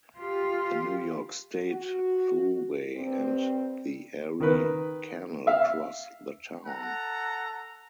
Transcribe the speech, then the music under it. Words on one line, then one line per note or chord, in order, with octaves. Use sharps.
The New York State Thruway and the Erie Canal cross the town.
F4 G4
F#4
G2 C4
D#3 A#4 B4
E5 F5
A4 F#5 A#5